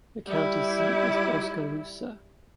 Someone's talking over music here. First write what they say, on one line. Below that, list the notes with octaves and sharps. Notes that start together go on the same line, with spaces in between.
The county seat is Oskaloosa.
G3 E4